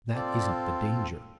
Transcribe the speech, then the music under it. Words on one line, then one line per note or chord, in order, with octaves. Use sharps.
That isn't the danger.
C4 F4 A4 D5